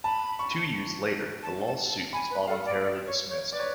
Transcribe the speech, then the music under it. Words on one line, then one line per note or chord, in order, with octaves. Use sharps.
Two years later the lawsuit was voluntarily dismissed.
A5 B5
C#6
A5
A5
A5
G#5 B5
B4
A4 F5
D5
D5
C#5
C#5
B4 D5
C#5